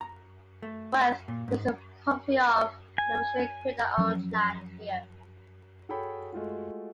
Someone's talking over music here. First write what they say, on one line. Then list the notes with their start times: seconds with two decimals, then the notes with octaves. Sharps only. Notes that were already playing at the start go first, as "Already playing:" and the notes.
"Worth" means "property of" and the Mercian Crida owned land here.
0.01 A#5
0.62 A3
1.28 A#2
1.48 G#2
2.98 G#5
3.98 F3 F#3 C#4
5.89 F#4 G#4 A4 C#5 G5 B5
6.33 G#3 A3 F4 F#4